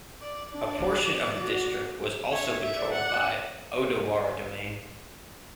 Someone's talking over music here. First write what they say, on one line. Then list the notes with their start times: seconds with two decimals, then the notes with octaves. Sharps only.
A portion of the district was also controlled by Odawara Domain.
0.22 D5
0.51 D4 D5
1.42 F#4
2.32 C#5 E5
2.63 E5
2.77 D5
2.92 F#5